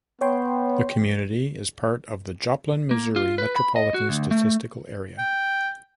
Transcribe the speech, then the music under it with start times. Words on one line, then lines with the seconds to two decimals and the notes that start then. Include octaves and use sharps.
The community is part of the Joplin, Missouri Metropolitan Statistical Area.
0.21 B3 C#5 G5 C6
2.91 A#3
3.16 F4
3.38 B4
3.56 B5
3.76 D#5
3.94 F#4
4.09 D2
4.31 A3
5.18 G5